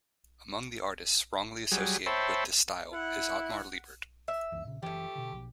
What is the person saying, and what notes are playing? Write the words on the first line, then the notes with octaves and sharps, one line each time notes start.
Among the artists wrongly associated with this style is Ottmar Liebert.
F#3 G3 G#4
C5 C#5 E5 G5 A5 B5
E4 F#5
E5
C#2 F#2 E3
A#2 C#3
F#1 E3 F3 A3 G4
B2 D3
A#1 B2